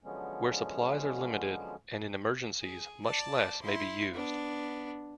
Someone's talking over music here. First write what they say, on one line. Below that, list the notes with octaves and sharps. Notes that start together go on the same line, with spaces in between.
Where supplies are limited, and in emergencies, much less may be used.
D3 F3 F#3 G#3 B3 C#4
G#4
D5 A5
E4 C6
B3 D4